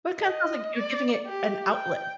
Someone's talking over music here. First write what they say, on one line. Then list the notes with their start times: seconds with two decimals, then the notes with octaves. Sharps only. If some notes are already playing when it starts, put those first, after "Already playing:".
Well, it kinda sounds like you're giving it an outlet.
0.18 D#5
0.76 D5
1.26 G4
1.73 G5